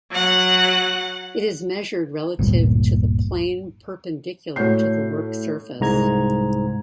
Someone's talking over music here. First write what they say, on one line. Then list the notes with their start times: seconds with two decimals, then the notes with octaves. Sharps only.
It is measured relative to the plane perpendicular to the work surface.
0.11 F#3 F#5
2.39 G1 D2 A#2 G3
4.56 A2 F#4 C#5 G6 C7
5.80 C2 G#2 A#5 G#6